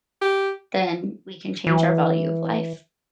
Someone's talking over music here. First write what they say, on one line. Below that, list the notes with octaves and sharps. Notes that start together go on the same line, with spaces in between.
then we can change our value of life.
G4
E3